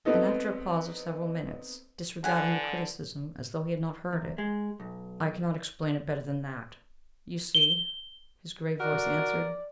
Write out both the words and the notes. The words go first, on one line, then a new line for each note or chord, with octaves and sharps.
And after a pause of several minutes, disregarding the criticism as though he had not heard it--"I cannot explain it better than that, you see," his grave voice answered.
B3 C4 D#4 A4 D#5
D3 F#5 G#5
E2
G#3
B1
G7
F#4 A#4 D5